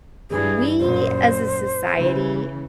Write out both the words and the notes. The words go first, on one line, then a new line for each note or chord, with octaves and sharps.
we, as a society,
G2 E3 G#4
F#2 A#2 C5
C#3 E3